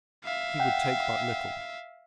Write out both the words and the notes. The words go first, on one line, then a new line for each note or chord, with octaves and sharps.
He would take but little.
E5 F5
F#5 G5